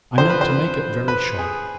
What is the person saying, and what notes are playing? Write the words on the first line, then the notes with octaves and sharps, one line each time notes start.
I meant to make it very short.
F2 D3 F3 C5
B4
C5
B4
G#4